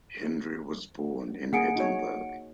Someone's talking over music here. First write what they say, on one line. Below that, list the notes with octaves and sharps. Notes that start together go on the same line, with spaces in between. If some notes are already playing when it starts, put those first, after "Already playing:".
Hendry was born in Edinburgh.
A#3 G#4 F#5 C#7 D7
D#4 F#4 C#5